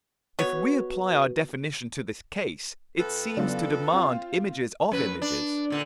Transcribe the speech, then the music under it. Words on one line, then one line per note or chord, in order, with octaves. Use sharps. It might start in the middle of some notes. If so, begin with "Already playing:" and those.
If we apply our definition to this case, it seems to demand images of images.
B3 F#4 B4 C#5
F2 A4 B4
C#3 F#3 B3 D4 F4
C4 F4
F#2 B4
D4
A#2 D3